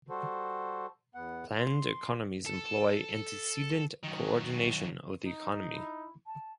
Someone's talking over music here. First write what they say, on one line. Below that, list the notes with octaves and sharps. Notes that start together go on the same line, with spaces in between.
Planned economies employ antecedent co-ordination of the economy.
G3 F#4 A4 C5
E2 B3 F#5
C6
A4
D#3 F#3
D#4
E4
A5